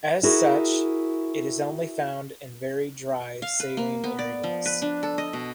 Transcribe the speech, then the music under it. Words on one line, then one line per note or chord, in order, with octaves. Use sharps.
As such, it is only found in very dry saline areas.
E4 F#4 G#4 A#4
F5
B4
A#3
B3
D5
F3
B4
D4
A4
D#5
B2